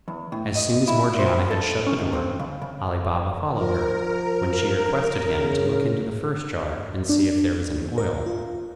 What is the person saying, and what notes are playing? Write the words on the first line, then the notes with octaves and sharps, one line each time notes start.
As soon as Morgiana had shut the door, Ali Baba followed her, when she requested him to look into the first jar, and see if there was any oil.
E2
A2
D#5
E4
C5
A4
C#4
C#2
C4
C#3
C#3
F3 A#4
C#3
D4
A#4
F4